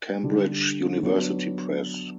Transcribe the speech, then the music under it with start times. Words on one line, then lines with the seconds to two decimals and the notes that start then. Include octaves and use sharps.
Cambridge University Press.
0.23 D3 G3 D4
1.03 F#3 B3 D4